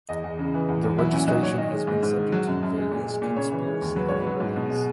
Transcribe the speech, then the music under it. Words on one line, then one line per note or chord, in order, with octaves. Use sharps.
The registration has been subject to various conspiracy theories.
E2 D#5
E2
C#3
E3
E2
E2
F#3 E4
A#2 C#4
F#3 D#4
A#2 C#5
D#3 D#5
G#3
G#2
G#2
D#3
F#3
F#2
F#2
G#3
A#2
G#3
A#2
C#3 C#5
E3
G#3
D#2
F#3 B4
G#2 C#5
B4
F#3
G#2
B2
G#3